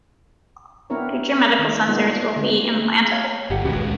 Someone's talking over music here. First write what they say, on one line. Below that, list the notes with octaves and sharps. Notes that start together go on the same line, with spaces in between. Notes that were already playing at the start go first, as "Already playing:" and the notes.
Future medical sensors will be implantable.
B3 C4 D4 E4 A#4 C#5
D#3
G3 G#3 A#3 B3 D#4 F4
D3 G#3 A3
C#5 F5
G1 G4 F#5
D#1 C#2 C#3 F#4 B4